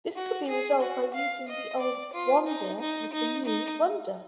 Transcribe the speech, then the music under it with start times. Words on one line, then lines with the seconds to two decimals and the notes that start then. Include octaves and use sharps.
This could be resolved by using the old "wander" with the new "wunder".
0.16 F#4
0.48 G#4
0.81 F#4
1.14 F5
1.49 D#5
1.80 D5
2.14 F4
2.47 D#4
2.81 D#4
3.13 D#4
3.46 D#4